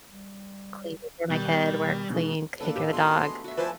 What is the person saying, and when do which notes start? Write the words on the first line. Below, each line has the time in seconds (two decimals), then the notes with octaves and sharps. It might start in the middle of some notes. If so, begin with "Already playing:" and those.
clean for my kid, work, clean, take care of the dog,
0.09 G3
1.31 B2 D#3 G3 F#6
2.10 B2 D#3 G#3
2.61 A#3 D4 A4 B4
2.76 A2 A3 G4
2.93 E3 G#3 B3 F#4 C6
3.44 F#4 E5
3.57 F3 D4 E4 B4 C5 G#5 A5